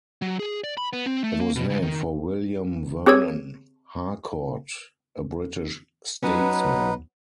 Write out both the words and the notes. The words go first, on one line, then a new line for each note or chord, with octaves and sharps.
It was named for William Vernon Harcourt, a British statesman.
F#3
G#4
D5
B5
B3
C4
A3
A#3
B2
C#2
D#3
C4 G4 G#4 C#5 E6 G#6
F#3 B3 C#4 D#4 B4